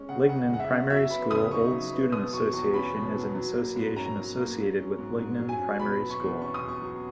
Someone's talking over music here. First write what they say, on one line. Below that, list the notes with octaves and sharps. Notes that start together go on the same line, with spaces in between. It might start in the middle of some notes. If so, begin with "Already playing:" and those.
Lingnan Primary School Old Student Association is an association associated with Lingnan Primary School.
Already playing: G#3 C#4
C#3 F#5
C#3 F#5
G#3 F#5
E5
C#4
F#3 E5
B3 B5
C#3 D#6
D#4 C#6
F#3
B3
B2 D#6
F#3 C#6
E2 C#6
C#4 B5
B2
F#3
F#3
A#3
G#2
C#4 A#5
F#3
A#3
F#3
C#4
G#2
G#2
F#3
G#5
C#4
B2 B5
F#3
C#6
E2
C#4 C#6
D#6
B2
C#6
F#3